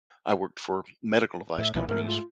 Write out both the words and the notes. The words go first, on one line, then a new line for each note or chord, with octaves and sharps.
I worked for medical device companies.
A2 E5
B1 A#2 E3 F3
G#2 A3 A#4
F4